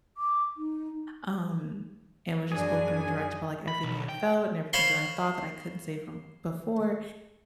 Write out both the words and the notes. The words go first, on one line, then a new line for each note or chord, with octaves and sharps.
um, and was just open, and direct about, like, everything I felt and everything that I thought that I couldn't say from before,
D6
D#4
F#2 D4 G#4 G#5
B5
B1
G5
C5 C#5 F5 B5 C6